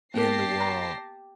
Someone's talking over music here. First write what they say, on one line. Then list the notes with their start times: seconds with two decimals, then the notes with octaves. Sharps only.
in the world
0.14 A#3 B3 G4 A#4 A5 A#6 C7
0.60 A#5